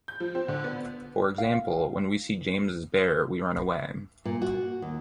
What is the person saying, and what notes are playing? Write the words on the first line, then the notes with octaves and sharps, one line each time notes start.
For example, when we see James's bear, we run away.
G6
F3
C4
D3
B3
F5
A#2
F#4
D#2